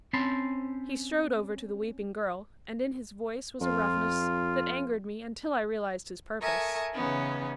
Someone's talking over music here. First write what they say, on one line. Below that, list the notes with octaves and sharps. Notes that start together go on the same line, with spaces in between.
He strode over to the weeping girl, and in his voice was a roughness that angered me until I realized his purpose.
C4 C#4 C5 A5 B5 C6
F2 F4
A4 A#4 E5 G#5 C#6 D#6
C#3 E3 B3 C#4 D#4